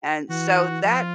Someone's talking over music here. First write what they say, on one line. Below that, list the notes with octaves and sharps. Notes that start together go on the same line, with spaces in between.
And, so, that
E3 F#4
F3 F4